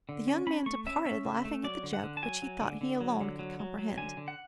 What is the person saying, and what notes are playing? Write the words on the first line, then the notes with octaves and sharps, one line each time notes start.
The young man departed, laughing at the joke, which he thought he alone could comprehend.
D3
C#4
C#4 B5
A3 C#6
C#4 E5
C#4 E5
C#3
A3
F#3 D5
D3
F#5
D3
A5
F#3 G#5
F#3
D3
D3
F#3
D3
F#3
F#3
F#3
D3 G#5
D3
F#5